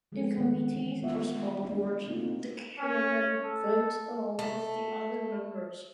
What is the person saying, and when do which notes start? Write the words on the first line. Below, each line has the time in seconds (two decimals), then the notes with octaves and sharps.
In committees or small boards, the chairman votes along with the other members.
0.12 F3 G#3 B3 C4 A4
0.38 D#3 A3 B3 F#5
0.69 E3
1.02 B3 F4 E5 F#5
1.64 A3 D4
2.07 A3 A#3 C4 D#4 F4 F#4
2.79 C#4
3.44 A4
4.39 A3